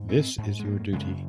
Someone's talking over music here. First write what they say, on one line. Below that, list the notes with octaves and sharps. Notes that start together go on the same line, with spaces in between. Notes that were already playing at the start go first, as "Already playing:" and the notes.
This is your duty.
Already playing: G#2
C4
G#2
G#3
A#3
F#2 C#3 G#3